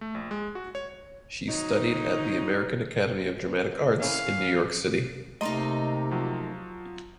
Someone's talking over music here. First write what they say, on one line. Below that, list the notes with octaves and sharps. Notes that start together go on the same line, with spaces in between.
She studied at the American Academy of Dramatic Arts in New York City.
A3
A#1
G#3
F#4
C#5
F#3 C4 D#4
A#3 C#4 E4 F5
C3 A3 A#3 D#4 D#5 A#5 C6
F3 F#3